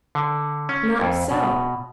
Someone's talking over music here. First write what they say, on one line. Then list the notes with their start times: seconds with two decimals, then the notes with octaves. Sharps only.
Not so.
0.15 D3
0.69 C#4
1.01 F2
1.31 B2